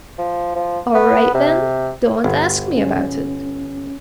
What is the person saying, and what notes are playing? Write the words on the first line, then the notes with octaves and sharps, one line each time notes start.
"All right, then; don't ask me about it."
F3
F3
B3
C3
G1
C#4